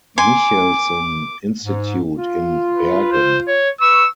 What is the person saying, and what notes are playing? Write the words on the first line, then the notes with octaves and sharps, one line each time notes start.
Michelsen Institute in Bergen.
G#5 C6 D6
G#2
F4
B4
C5
C#5
B4 B5 C#6 E6